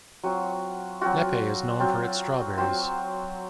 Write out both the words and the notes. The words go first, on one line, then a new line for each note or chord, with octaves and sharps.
Lepe is known for its strawberries.
F#3 C4 F4 F#4
F#3 C4 F4 F#4
F#3 C4 F4
F#3 C4 F4 C5